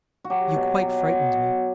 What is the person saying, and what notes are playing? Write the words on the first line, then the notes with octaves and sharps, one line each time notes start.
You quite frightened me.
F#4
F#3 G4
B2
F#3
F#3
F#3